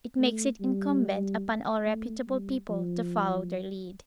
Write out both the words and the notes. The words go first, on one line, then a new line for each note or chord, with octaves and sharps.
It makes it incumbent upon all reputable people to follow their lead.
A3
G3
A3
G3
F3